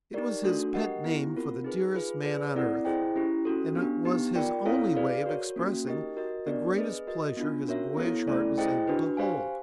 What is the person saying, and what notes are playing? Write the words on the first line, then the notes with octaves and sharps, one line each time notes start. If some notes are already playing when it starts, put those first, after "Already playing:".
It was his pet name for the dearest man on earth, and it was his only way of expressing the greatest pleasure his boyish heart was able to hold.
D#4 G4 A#4 D5
A3 D4 F#4 A4
G4 A#4 D#5 F#5
B3 E4 G4
C4 F4 A#4
D#4 G#4 B4
F4 G#4 B4
G#4 B4 D5
C4 E4 A4 D5 F#5
E4 G#4 C5 D#5 G5
C#4 E4 G4
C#4 F#4 A4
B3 D4 G4
B3 D#4 G4
F4 A#4 D5 G5
C4 E4 A4 C#5 F5
G#4 B4 D5 F5
F#4 A#4 C#5
A#3 C#4 F#4
D#4 G4 A#4 D#5
F#4 A#4 D#5
B3 D4 G4 A#4 D5
G#4 B4 D#5
F#4 A#4 D#5
B3 D4 F4
C#4 F#4 A#4 C#5 E5
B3 E4 A4 C#5
A3 C#4 E4 A4 D5
E4 G#4 C5 D#5 G5
D4 F#4 B4
G4 C5 F5 G#5